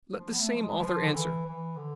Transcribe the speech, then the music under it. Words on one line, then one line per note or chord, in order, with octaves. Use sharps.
Let the same author answer.
F3
B3
A3
F3
G#3
E3
F3
D3
E3
E3
D3